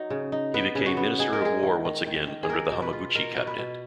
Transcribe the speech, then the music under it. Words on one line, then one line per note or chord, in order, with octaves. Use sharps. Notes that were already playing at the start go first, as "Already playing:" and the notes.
He became Minister of War once again under the Hamaguchi cabinet.
Already playing: F#3 D#4
C#3
D#4
B3 B4
C#3
F#4
B3
D#4 G#4
A#4
G#3 G#4
D#3
D#3
D#3
D#3
G#4
A#3 A#4
B2
B4
F4
B2 A#4
B2
B4
B2